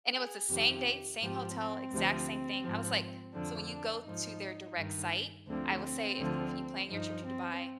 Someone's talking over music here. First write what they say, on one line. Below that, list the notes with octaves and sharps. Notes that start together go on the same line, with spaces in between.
And it was the same dates, same hotel, exact same thing. I was like so when you go to their direct site, I will say if you plan your trip to Dubai,
G#4
F2 C3 D#3 G4
G#2 F3 G4
C4
D2 C3 F3
G#2 F3
F2 D3 F3 D4
D4
G#2 F3 D#4
G2 D#3
D2 D3 F3 C4
C4
D2 D3 F3
G2 F3 D#4
C4